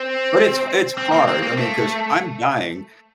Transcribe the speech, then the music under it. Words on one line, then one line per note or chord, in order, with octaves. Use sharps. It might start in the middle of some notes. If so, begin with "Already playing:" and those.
But it's it's hard. I mean, 'cause I'm dying,
Already playing: C4
C4
A#3
C4
A#3
A3